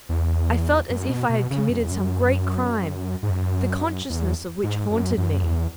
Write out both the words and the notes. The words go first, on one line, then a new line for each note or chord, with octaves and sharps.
I felt as if I had committed some great crime, the consciousness of which haunted me.
E2
F#2
B2
B2
C#3
F#2
E2
F#2
G#2
F#2
E2
G#2
F#2
F#2
E2